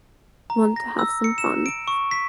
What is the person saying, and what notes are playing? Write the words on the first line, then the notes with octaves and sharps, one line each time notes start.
Want to have some fun.
A#5
A#6
E6
C#7
E7
D7
C#6
B6